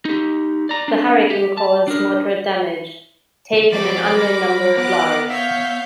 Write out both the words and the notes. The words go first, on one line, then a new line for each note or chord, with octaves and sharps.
The hurricane caused moderate damage, taking an unknown number of lives.
D#4 G4
D5 A#5
C4 D4
G4
A5
D4 A#4
F3 A4 C5 D5 B5 D6
G3 A#4
B3 B4 D6 F#6
C#5 E5 F5 G6